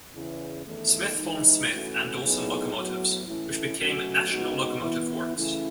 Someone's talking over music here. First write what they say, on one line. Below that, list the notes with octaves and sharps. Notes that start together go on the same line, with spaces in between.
Smith formed Smith and Dawson Locomotives, which became National Locomotive Works.
E2 C#3 E3
E2 D#3 A3
E3 G#3 D#4
E3 A3 C#4 F#4
A2 F#3 B3 D#4 G#4
A2 F#3 B3 F#4
A2 E3 A3 C#4 E4
B2 F#3 A3 C#4 F#4
C#3 G#3 B3 D#4 F#4
E3 B3 E4
C#3 E3 A3 C#4 E4